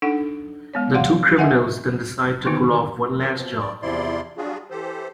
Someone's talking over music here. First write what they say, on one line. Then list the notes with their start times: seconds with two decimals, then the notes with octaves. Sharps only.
The two criminals then decide to pull off one last job.
0.02 D4 D#4 A4 F#5
0.73 G#3 B3 C#5
0.94 E3 F5 F#5 C6
1.37 D#5 E5 F#5 G#5 C6
2.45 D3 D#3 A#3 B3 D#4 E4
3.19 E3 C#4 G4 A#4
3.32 B2 F3
3.58 D5
3.82 E2 C3 F3 E4 D5 C6
4.37 F#3 G3 D4 F4 F#4 G#4
4.71 E3 G4 A4 C5